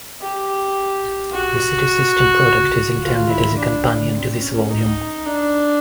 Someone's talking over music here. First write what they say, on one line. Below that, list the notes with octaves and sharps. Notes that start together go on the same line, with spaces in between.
The "City System" product is intended as a companion to this volume.
G4
F#4
F4
E4
D4
C4
C#4
D#4
D4